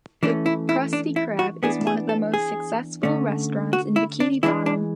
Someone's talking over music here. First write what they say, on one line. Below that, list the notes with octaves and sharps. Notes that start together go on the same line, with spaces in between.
The Krusty Krab is one of the most successful restaurants in Bikini Bottom.
E3 A3 C#4 D4
E4
E4
D4
E4
F#4
E3 B3 D4 G#4
G#4
A4
G#4
D3 A3 C#4
F#4
E4
D4
E3 G#3 D4 E4
D4